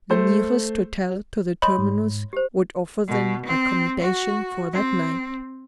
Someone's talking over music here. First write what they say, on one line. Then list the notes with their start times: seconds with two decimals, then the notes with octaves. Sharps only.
The nearest hotel to the terminus would offer them accommodation for that night.
0.10 A3 C5
1.62 C#5 D#5 B5 C6
1.79 G#2
2.33 G4 C5
3.08 B2
3.46 C4
4.01 F#4
4.72 C4